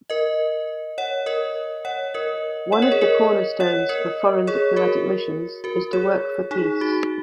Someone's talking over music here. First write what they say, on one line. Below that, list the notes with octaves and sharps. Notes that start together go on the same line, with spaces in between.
One of the cornerstones of foreign diplomatic missions is to work for peace.
A#4 D#5
C#5 F#5
A#4 D#5
C#5 F#5
A#4 D#5
C#5 F#5
A#4 D#5
G#4 C#5
A#4 D#5
C#5 F#5
A#4 D#5
G#4 C#5
F#4 A#4
F#4 A#4
G#4 C#5
D#4 G#4
F#4